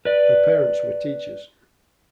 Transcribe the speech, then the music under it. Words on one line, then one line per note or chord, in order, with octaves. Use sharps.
Her parents were teachers.
B4 D5